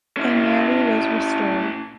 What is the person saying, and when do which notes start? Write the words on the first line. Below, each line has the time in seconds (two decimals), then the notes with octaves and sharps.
Aimeri was restored.
0.17 C#4 E4